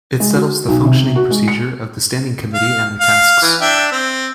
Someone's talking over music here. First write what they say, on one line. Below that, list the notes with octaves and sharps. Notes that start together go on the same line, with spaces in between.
It settles the functioning procedure of the Standing Committee and their tasks.
G#3
F#4
B1
C3
F#4
G#3
C#7
F5
F5
E3
D4 E5 G5
C4